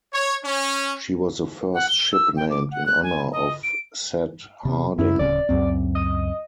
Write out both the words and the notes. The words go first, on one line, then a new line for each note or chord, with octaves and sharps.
She was the first ship named in honor of Seth Harding.
C#5
C#4
F#5
G7
E6
G5
D6
F#5
F#6
G#5
D#5
D7
C3
F#2 C#4 E4
D1 C#3 C#4 D5
C#2 F#2 C4
D#5